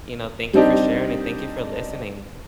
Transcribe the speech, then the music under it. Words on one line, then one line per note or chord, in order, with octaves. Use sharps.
you know, thank you for sharing it. Thank you for listening
G3 C4 D4 D#4 G4